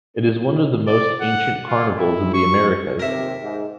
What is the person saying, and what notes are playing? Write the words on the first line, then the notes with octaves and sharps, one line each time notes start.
It is one of the most ancient carnivals in the Americas.
D5
F#5
F4
E4
C#6
D#2 C3 A#4 E5
G#2